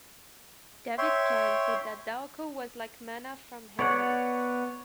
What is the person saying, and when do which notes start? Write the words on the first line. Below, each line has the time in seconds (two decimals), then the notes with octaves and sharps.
David Kahn said that Darko was like manna from heaven.
0.98 C#5 E5 G5 C6
3.79 B3 C#5 D5 F#5